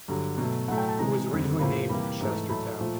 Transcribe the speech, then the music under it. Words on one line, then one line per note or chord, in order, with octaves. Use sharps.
It was originally named Chestertown.
G2 D3 F#3
B2 F#3 A3
A2 F#3 A3 F#5
G5
A5
C3 E3 G#3 A#5
F2 D3 G3
A2 F3 A#3 B5
C3 E3 G3 A#3 B5
G#2 E3 A3
A2 F#3 A3 B5
A#2 F3 A3